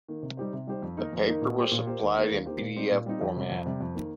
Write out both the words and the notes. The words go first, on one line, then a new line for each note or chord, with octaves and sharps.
The paper was supplied in pdf format.
D#3 A#3
C3
G3 D#4 G4 C5
C3
G3 D#4 G4 C5
F2
D#3 A#3 D#4 A#4
F2
D#3 A#3 D#4 A#4
A#2
A#3 G4 C5
A#2
A#3 G4 C5
D#2
D#3 A#3 G4 C5
D#2
D#3 A#3 G4 C5
A#2
G3 C4 D#4
A#2
G3 C4 D#4
F2
C3 G3
F2
C3 G3
F2
D#3 A#3